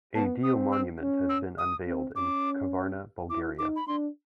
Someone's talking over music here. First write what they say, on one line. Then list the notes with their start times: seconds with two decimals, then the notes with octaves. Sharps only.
A Dio monument has been unveiled in Kavarna, Bulgaria.
0.15 B3 A5
0.43 C4 D#6
0.72 E6
1.02 C#4
1.29 E6
1.58 D#6
1.87 C4
2.15 C#4 D6
3.29 E4 D6
3.58 D#4 D6
3.76 B5
3.87 D4 C6